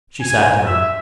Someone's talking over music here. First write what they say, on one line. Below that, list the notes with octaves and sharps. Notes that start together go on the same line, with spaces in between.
She sat down.
G#5
E5